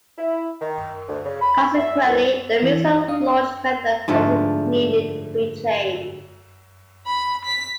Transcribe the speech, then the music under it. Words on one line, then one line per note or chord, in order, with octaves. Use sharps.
Consequently, the missile launch method also needed to be changed.
E4
D#3
D2
C#3
B5
E5
C2
E3
D4 F5 D#6
G#2 D3 F3 A3
B5
B6